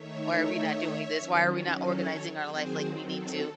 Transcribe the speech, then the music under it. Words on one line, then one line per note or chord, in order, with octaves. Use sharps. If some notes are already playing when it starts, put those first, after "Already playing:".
Why are we not doing this? Why are we not organizing our life like we need to?"
Already playing: D#3 A3 D#4 C#5 E5
D#3 F#3 C#4
A4 C#5
D#3 F#3 C4 G#4 C5
A4